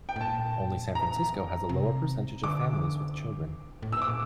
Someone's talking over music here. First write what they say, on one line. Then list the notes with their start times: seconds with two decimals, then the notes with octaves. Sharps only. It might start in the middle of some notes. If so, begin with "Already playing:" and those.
Only San Francisco has a lower percentage of families with children.
0.09 G5
0.16 A2
0.21 A#2 A5
0.95 A#5
1.69 C3
2.43 D3 D6
3.82 A2
3.92 A#2 E6
4.02 D6